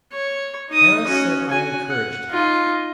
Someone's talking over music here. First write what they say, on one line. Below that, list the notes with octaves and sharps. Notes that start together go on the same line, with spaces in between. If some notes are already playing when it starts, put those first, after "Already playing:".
Harris said I encouraged him.
C#5
D#4 D#6
C#4 F#4
F#4 G#5
F#5
D#4 F4